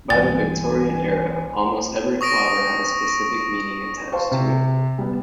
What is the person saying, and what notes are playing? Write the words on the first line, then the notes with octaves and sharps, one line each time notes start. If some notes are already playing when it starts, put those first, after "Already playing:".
By the Victorian era, almost every flower had a specific meaning attached to it.
B1 G2 E3 A#3 G5 G#5 A6
C#6 D#6 A#6 D7
C5 F5 G5 A5 C6 C#6
C3
G3 B3